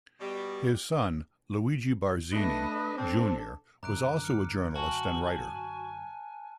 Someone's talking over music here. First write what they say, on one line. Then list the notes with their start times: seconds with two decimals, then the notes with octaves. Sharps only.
His son Luigi Barzini, Junior was also a journalist and writer.
0.20 B2 G3
2.32 A3 D4 B4 D#5
2.96 C4 D4 A4
3.83 F#2 D3 A#5 D6 F#6 D7
4.24 F6 C#7
4.76 F#4 G#5 A5